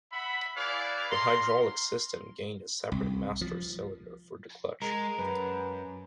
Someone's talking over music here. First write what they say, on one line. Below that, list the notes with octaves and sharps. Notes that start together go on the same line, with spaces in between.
The hydraulic system gained a separate master cylinder for the clutch.
E5 F#5 B5
E4 G#4 B4 D5 F5
F5 A#5 C6
C2
F3
G#3 A#4
F#2 B4